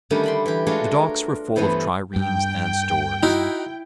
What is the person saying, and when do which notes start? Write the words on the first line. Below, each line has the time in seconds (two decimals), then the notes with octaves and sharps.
The docks were full of triremes and stores.
0.10 D3 D#3 G3 A3 C#4 D4
0.23 D5 B5 C6
0.46 E3 G4
0.67 G#3 A3 D4 F4 F#4 C#5
0.91 A#4
1.56 G2 E3 A3 B3 C5
2.16 G2 G5
3.23 D#4 E4 F#4